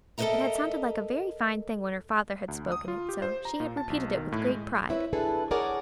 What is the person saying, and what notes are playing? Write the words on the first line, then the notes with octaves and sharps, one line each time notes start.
It had sounded like a very fine thing when her father had spoken it, so she had repeated it with great pride.
A4 A#4 C5 D#5 E5 A#5
D2
D#6
F4
G4
C5
A#5
A#2
A5
B1
D#3
A2
G#3
C4 E4 B4 C#5 E5
D4 E4 G#4 A4 B4
G#4 A#4 C#5 D5 F#5 G#5